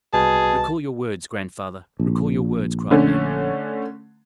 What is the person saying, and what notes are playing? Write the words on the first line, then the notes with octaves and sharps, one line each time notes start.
"Recall your words, grandfather--recall your words!" cried Mabel.
C2 B2 G#4 A5
A#1
D3 A3 C#4